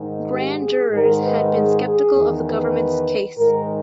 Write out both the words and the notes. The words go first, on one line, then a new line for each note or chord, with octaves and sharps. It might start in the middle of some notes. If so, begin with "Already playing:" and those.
Grand jurors had been skeptical of the government's case.
Already playing: G#2 D#3
G4
G#4
G#2 D#3 A#4
B4
G#4
G#4
E2 D#3
B4
G#2 D#3 A#4